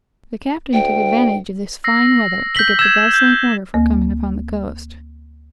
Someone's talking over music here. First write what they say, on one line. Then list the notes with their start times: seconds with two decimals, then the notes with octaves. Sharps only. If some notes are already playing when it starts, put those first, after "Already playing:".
The captain took advantage of this fine weather to get the vessel in order for coming upon the coast.
0.73 D2 G5
1.84 E6 A#6 C7
2.55 G6 B6 F#7 G7
2.79 E6 G#6 E7
3.13 G6
3.74 D2 A#3